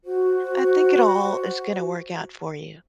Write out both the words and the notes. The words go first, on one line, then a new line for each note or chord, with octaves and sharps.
I think it all is gonna work out for you.
F#4 C5